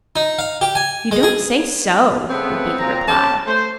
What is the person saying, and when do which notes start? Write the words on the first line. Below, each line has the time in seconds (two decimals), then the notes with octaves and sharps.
"You don't say so," would be the reply.
0.16 D#4
0.39 F5
0.61 G4
0.75 G#5
1.11 G#3
1.23 G#4
2.29 C#3 A3 B3 C4
2.78 A#2 A#5
3.08 C#4 G4 A5
3.47 A3 C5